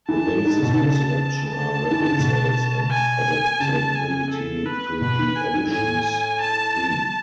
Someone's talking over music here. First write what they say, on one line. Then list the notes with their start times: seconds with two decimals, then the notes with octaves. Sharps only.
The basis for selection are record sales and adaptability to the edition's theme.
0.09 E3 A5
0.27 A2
0.45 G#2
0.62 B2
0.73 D#3
0.80 C#3
1.50 A5
1.91 E3
2.00 D#3
2.10 C#3
2.20 B2
2.90 G#5
3.60 C#3 A5
3.95 G#5
4.30 A4
4.66 B4
5.01 B2 B4
5.18 D#3
5.36 G#5
5.53 G#2
5.71 A2 G#5
6.41 A5